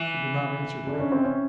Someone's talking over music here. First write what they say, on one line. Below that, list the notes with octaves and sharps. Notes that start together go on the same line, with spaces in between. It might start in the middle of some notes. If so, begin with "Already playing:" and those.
She did not answer directly.
Already playing: E3
D4
C#4
C4
C#4